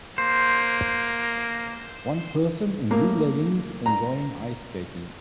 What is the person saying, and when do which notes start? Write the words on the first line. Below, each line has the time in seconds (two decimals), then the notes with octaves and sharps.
One person in blue leggings enjoying ice skating.
0.18 A#3 C5
2.90 A2 A#3
3.86 A#5